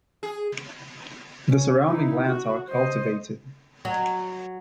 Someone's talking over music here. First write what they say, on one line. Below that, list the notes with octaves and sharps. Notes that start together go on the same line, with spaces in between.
The surrounding lands are cultivated.
G#4
C#4
D#4 E4
F#4
C5 D#5
F#3